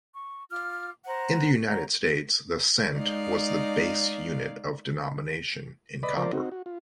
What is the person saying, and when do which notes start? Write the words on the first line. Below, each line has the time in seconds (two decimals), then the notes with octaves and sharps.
In the United States, the cent was the base-unit of denomination in copper.
0.14 C#6
0.51 F4 D6 F6
1.05 C5 F#5 A#5 F#6
1.70 C#5 F#5 A#5
2.96 G#3 D#4 D5 F5
6.03 B4 D5 D#5 B5
6.17 F3 A#4 C5 D5
6.33 C4 D#4 F#4
6.52 F#4
6.66 F4